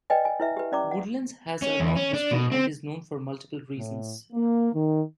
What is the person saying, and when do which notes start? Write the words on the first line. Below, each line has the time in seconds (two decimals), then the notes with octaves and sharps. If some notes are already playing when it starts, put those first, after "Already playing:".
Woodlands has a long history and is known for multiple reasons.
0.10 B4 D5 D#5 G5 G#5
0.25 G#5
0.40 E4 B4 E5
0.57 G4 B4
0.72 C#4 D5 A#5 D6
0.91 F#5
1.62 C#4
1.80 E2
1.96 C#4
2.14 D4
2.31 B2
2.52 C4
3.76 A2
4.33 A#3
4.72 D#3